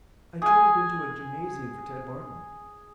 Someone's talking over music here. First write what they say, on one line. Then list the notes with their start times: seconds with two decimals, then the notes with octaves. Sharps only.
I turned it into a gymnasium for Ted Barton.
0.42 G#4 G#5